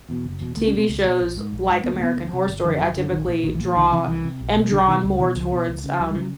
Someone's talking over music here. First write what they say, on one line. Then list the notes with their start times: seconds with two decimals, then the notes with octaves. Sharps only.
TV shows like American Horror Story, I typically draw am drawn more towards, um,
0.09 E2 B2
0.24 F#1
0.40 E2 B2
0.57 C#2 A3
0.67 C#4
0.73 B2 C4
0.89 C#2
1.05 B2
1.21 A#1
1.37 G#2
1.52 A#1
1.69 G#2
1.84 D2 B3
1.95 A#3
2.00 C3 B3
2.17 D2
2.33 C3
2.48 G1
2.64 F#2 D3 F3
2.80 G1 F#3
2.97 F#2 D3
3.12 A#1 D#3
3.28 A#2
3.44 A#1 D#3
3.55 E3
3.60 A#2
3.65 F3
3.76 C2 D#3
3.92 C3 E3
4.08 C2 E3
4.24 C3
4.41 B1
4.56 B2
4.71 B1 D3
4.88 B2 D#3
5.04 C#2
5.19 B2 E3
5.36 C#2 F3
5.52 B2
5.68 C#2
5.84 C#3
5.99 C#2 F#3
6.11 G3
6.16 C#3 F#3